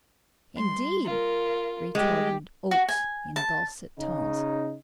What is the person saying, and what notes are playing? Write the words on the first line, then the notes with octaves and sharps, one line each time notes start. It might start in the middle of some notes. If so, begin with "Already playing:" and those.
"Indeed!" retorted Oakes in dulcet tones.
G3 C6
F4 A#4
G3 G#3 G4
F#4
G#5
A5
C#3 D#4